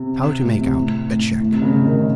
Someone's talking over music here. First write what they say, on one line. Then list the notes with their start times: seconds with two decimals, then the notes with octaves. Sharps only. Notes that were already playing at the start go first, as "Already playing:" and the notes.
How to Make Out a Check.
Already playing: C3
0.43 A2
0.59 C3
0.75 A2
1.08 A2
1.40 A2
1.51 C3
1.62 C#3
1.73 C#3
1.83 D#3
1.94 C#3